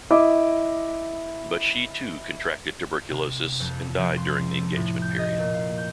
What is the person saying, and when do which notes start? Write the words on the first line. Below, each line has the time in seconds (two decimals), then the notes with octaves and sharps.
But she, too, contracted tuberculosis, and died during the engagement period.
0.11 E4 D#5 E5 D6
3.10 C3
3.60 F2
3.99 F3
4.17 C6
4.51 A4
4.76 A2
5.02 G6
5.18 D#5
5.39 A#2
5.54 F5
5.78 G6